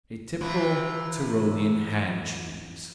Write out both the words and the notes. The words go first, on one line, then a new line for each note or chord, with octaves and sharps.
A typical Tyrolean hand cheese.
C3 E3 F3